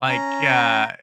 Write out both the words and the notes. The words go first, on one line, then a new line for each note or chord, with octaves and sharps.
like, uh,
C#4 A#5